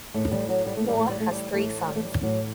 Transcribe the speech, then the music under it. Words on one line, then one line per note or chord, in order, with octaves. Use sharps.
Moore has three sons.
A2 E3 A3
G3
F#3
G3
A3
A2 E3 G3
A3
G3
A3
G3
A2 E3 A3
G3
A3
G3
A2 E3 F#3